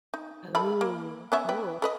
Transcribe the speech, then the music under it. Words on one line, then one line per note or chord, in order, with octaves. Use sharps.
Oh, cool.
D#4
D#3 A4 B5
A#3
B3 C#4 E5
B4 G5
A4 B4 D#5